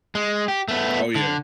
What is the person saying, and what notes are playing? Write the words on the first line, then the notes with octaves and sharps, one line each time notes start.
Oh yeah.
G#3
G4
A3 B3
D3